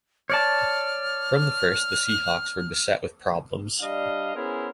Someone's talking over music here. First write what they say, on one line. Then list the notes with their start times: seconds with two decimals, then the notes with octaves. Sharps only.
From the first, the Seahawks were beset with problems.
0.30 C#5 D5 A5 F6
3.81 G3 D4 D#5 F5
4.35 B3 C#4 E4 G#4 A#4 C5